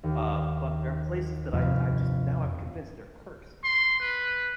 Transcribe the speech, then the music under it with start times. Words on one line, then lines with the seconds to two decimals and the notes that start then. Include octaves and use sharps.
uh, but there are places that I'm I've just now I'm convinced they're cursed.
0.03 D#2
1.53 G1 F2 C3 F5 B5
3.64 C6
4.00 B4